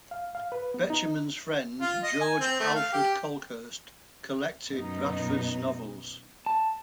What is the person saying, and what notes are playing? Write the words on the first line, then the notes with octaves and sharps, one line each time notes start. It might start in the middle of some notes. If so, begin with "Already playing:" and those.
Betjeman's friend George Alfred Kolkhorst collected Bradford's novels.
F5
F5
B4
B3
D#4
F4
D#5
G#5
C4
A3
F5
G4
F#2 B2 B3 D#4
A5